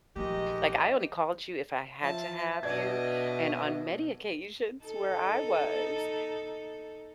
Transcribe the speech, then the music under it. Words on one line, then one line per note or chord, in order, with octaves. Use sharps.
Like, I only called you if I had to have you, and on many occasions where I was,
A#1 D#3 F3 G#3 G4 D#5
F3 E5 A5
B2 D4 D5 D#5 G#6
D#4 A4